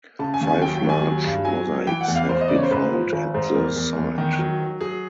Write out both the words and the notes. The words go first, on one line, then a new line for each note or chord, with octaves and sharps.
Five large mosaics have been found at the site.
C#3 A5
G#5
D#2
G#5
F#3 G5
G5
D#2
G#5
F#3
G2
F#3 G#5
F#3
E3 G5
F#5
E2
F5
E2 C5
D#5
C#3 D5
C#5
C5
G#2 B4
F3
G#1
G#2
E2 A#4
E2
E2
D#3
F#3
F#3
F#3 G#4